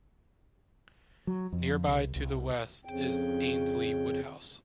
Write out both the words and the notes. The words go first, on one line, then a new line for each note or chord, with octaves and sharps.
Nearby to the west is Annesley Woodhouse.
F#3
F2
C2
C2
F2 C#3 G5